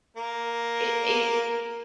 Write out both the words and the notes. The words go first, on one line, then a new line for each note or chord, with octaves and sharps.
It it
A#3 A#4